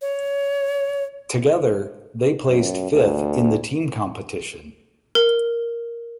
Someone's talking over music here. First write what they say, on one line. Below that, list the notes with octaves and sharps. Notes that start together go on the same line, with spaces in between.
Together they placed fifth in the team competition.
C#5
F#2
D2
A#4